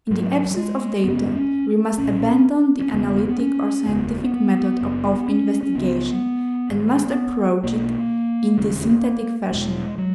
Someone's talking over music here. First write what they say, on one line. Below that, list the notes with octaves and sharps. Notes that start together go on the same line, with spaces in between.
In the absence of data we must abandon the analytic or scientific method of investigation, and must approach it in the synthetic fashion.
G#1 G#2 F#3
F#3
G#3
G#1 F#2 C#3 B3
C#4
B1 A#2 C#4
C#4
E1 E2 C#3 B3
B3
C#4
F#1 E2 C#3 B3
B3
F#1 F#2 C#3 B3
C#4
C#4
C#2 C#3 B3
G#1 G#2
B1 B2 A#3
E1 D#2 C#3
E1 E2 B2 G#3
F#3